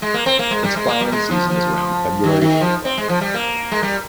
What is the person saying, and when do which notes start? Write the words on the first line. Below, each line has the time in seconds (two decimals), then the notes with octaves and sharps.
Its flowering season is around February to April.
0.02 G#3
0.14 A#3
0.26 C4
0.39 A#3
0.51 G#3
0.64 G3
0.76 G#3
0.88 A#3
1.01 G3
1.12 G#3
1.31 F3
1.50 F3
2.24 D#3
2.41 D#3
2.61 F3
2.85 C4
2.97 G#3
3.09 F3
3.21 G3
3.34 A#3
3.72 G#3
3.83 G3